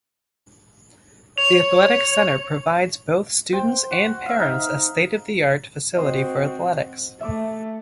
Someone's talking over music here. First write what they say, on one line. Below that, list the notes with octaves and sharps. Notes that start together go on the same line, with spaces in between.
The Athletic Center provides both students and parents a state-of-the-art facility for athletics.
C#5 F7
C5 G5
F#4
E5 F5
D#4
C4 F#4 C5 D#5
A3 E5 D6